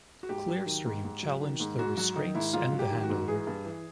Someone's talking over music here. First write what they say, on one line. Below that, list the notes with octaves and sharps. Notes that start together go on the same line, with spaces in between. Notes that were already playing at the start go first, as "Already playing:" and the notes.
Clearstream challenged the restraints and the handover.
F#4
G#2 G4
F#3
D#3
G#2
G#2
F#3
D#3
G#2
G#2 F#4
F#3 F#4
D#3 D#4
G#2 E4
G#2 F4
F#3
G4
D#3
F#4
G#2
E3 G#4
G2
E3